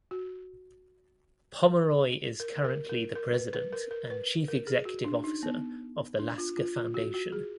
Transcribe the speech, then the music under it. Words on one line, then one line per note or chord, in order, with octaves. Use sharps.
Pomeroy is currently the president and chief executive officer of the Lasker Foundation.
F#4
A#4
A#4
A#4
A#4
B4
B4
A#4
A#4
B4
A#4
G#4
F#4
D4
D#4
B3
D4
F4
F4
F4
F#4
F#4
G#4